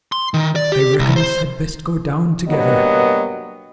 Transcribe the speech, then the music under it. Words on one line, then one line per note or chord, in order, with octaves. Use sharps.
"I reckon us had best go down together."
C6
D#3
D5
G4
C2
C5
G2 F#3 A#3 B3 D#5